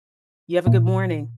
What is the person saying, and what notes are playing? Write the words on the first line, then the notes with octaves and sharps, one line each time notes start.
You have a good morning.
A#2